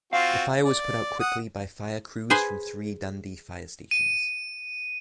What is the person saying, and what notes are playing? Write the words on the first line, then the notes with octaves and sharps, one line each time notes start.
The fire was put out quickly by fire crews from three Dundee fire stations.
C4 F4 F#4 F5
D5
F#5 D#6
G#4 B4 C5 G#5
D#7